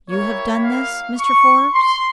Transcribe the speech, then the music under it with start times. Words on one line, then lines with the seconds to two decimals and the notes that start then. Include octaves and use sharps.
"You have done this, Mr. Forbes?"
0.10 A#3 E4 G4 C#5
0.64 F5
1.19 C#6
1.73 C6